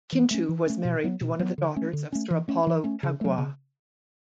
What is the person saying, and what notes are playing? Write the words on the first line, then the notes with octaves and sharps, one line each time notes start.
Kintu was married to one of the daughters of Sir Apollo Kaggwa.
E3
A3 C#4
E3
A3 C#4
B2
F#3 B3
B2
F#3 B3
D3
A3 C#4
D3
A3 C#4
E3
A3 C#4
E3
A3 C#4
C#3
F#3 A3
C#3